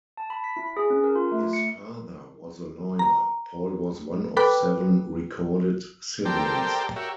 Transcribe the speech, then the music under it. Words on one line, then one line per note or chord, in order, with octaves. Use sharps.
His father was a lawyer: Paul was one of seven recorded siblings.
A5
B5
B6
E4
G#4
C#4
A#4
F4
A3
C#7
A#5
A4 B4 G5 B5 D6 F#6
G4 A4 A#4 C5 D5 G5
F#4 G4 A#4 C#5 E5